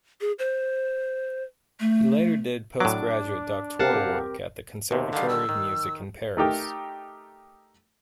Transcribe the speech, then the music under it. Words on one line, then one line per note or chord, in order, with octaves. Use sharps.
He later did post-graduate doctoral work at the Conservatory of Music in Paris.
G#4
C5
A3
A2 F#3 D4 D6
C4 G4 A#4 F5 F#5 A5
D#2 C3
D3 D#3 G3 F5
E6
D#3
A3 D#4 G4 A#4